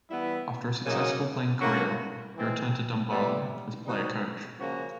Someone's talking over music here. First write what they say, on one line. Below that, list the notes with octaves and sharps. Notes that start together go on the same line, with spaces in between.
After a successful playing career, he returned to Dumbarton as player-coach.
E3 G3 B3 E4
F#2 C#3 F#3 A#3 D#4
A2 F#3 A#3 C#4 F#4
E3 G#3 C4
A2 E3 G3 B3 E4
D#3 G3 C4 D#4 F#4
C#3 F3 A#3 C#4 F#4